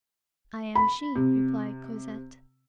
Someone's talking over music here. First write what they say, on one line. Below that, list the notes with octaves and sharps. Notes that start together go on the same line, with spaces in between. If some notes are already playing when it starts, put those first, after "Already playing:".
"I am she," replied Cosette.
B5
C3